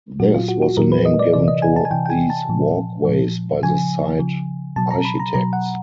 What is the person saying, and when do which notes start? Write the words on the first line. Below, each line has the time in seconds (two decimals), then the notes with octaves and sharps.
This was the name given to these walkways by the site architects.
0.20 A#2 F#3 F#4
0.34 F4
0.48 F#4
0.62 F#4
0.77 A#2 F#3 A#4
0.92 B4
1.05 D#5
1.19 D5
1.33 C3 E3 D5
1.48 D#5
1.62 G#5
1.76 A5
1.85 G#5
1.91 C3 E3 G5
2.06 G5
2.10 G#5
2.30 A5
2.49 A#2 F3
3.05 A#2 F3
3.63 C#3 F3 G#5
4.19 C#3 F3
4.76 B2 F#3 A5
4.91 A#5
5.05 B5
5.20 A#5
5.34 B2 F#3 A#5
5.53 F#5